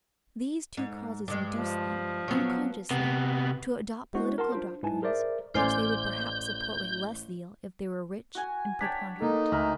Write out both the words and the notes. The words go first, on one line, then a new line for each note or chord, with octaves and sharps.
These two causes induce them, unconsciously, to adopt political doctrines, which they would perhaps support with less zeal if they were rich and preponderant.
G#2
G2 G#3
F3
F#3 B3
C3 B3
G#3 B3 D4 E4 F#4 C5
A#4 F#5 A5 C6
D4 F4 C5
G#2 E4 B4 G#5 A5
G#4 A#4 C5 D5 E5
A1 C5 D5 G#5 C6 D6 F6 G6
F#4 G#5
D4 C#5 G5 A5 G#6 B6
A#3 D#4 A4
D2 A#4 E5 B5